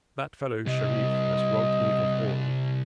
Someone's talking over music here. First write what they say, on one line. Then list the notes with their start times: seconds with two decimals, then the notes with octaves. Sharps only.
That fellow Sherif has robbed me of all.
0.66 C2 G3 D#5